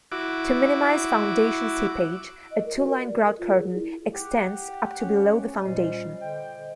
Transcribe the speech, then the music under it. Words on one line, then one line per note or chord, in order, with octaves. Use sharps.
To minimize foundation seepage, a two-line grout curtain extends up to below the foundation.
E4 F#4 D6
D#5
A#4
F#4
A#4
D5
A#4
F4
G#4
E4
G4 F#5
C#4 C#5 G#5
A#2 G3 C5 D#5
D3 G5